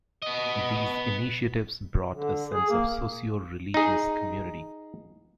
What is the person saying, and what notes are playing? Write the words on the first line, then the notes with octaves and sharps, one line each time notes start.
These initiatives brought a sense of socioreligious community.
B3 D#5
D3
G#4
A#3
D#4 G#4